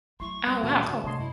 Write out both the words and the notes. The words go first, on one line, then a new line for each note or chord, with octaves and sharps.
Oh, wow, cool.
D2 F#3 E4 C6 C#6
G3
A#2 E3 F#4 A5
A2 D3 F#4 D5
C3 G#3 A3 D4 C#5 D#5 C6
F#2 E4